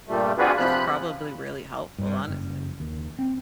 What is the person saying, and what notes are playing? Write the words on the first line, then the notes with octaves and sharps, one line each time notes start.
That's probably really helpful, honestly.
G2 A#2 G3 A3
C4 D4 F4 F#4 G#4 B4
C3 F3 B5 F#6
G2
F#1
D#2
C4